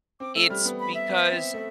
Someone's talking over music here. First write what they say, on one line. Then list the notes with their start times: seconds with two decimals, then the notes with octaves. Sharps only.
it's because
0.20 C4 D6
0.35 A3 E6
0.50 G3 F6
0.65 B3
0.80 B5
0.94 E5
1.09 B3
1.31 C4
1.54 A3